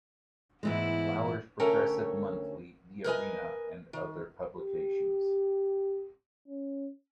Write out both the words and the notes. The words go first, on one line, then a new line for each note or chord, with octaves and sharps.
Flower's progressive monthly, "The Arena" and other publications.
G#2 E3 G#3 B3 E4
D2 C#4 A4 A#4 C#5 G5
A#4 B4 D#5 G#5
D#3
G4
C#4